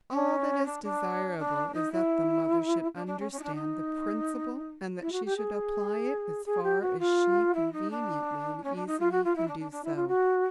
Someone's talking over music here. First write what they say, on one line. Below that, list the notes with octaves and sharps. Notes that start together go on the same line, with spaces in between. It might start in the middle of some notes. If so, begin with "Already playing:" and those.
All that is desirable is that the mother should understand the principle, and that she should apply it as far as she conveniently and easily can do so.
C#4
D4
D4
D4
D#4
E4
D4
D4
C#4
C#4
D#4
D4
D#4
E4
F#4
G4
G#4
G#4
G4
F#4
F4
E4
D#4
D4
C#4
D4
D#4
F4
F#4
F4
E4
D4
D4
D4
E4
F4
F#4